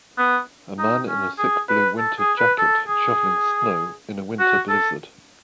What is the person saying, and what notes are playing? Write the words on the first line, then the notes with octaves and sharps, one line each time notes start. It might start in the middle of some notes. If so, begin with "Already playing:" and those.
A man in a thick blue winter jacket shoveling snow in a winter blizzard.
B3
D#4
C#4
G#4
B4
A4
G#4
B4
A4
G#4
F#4
A4